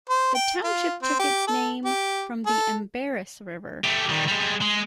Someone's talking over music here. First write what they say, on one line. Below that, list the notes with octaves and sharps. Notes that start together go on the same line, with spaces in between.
The township took its name from the Embarrass River.
C5
G5
F4
C4
G4
A4
G4
A4
A3 G4
D#3 G3
G3 G#3
G#3